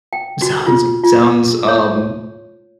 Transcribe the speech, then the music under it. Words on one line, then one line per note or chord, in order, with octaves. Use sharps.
Sounds sounds, um
G5
F#4
F4
F4
C#5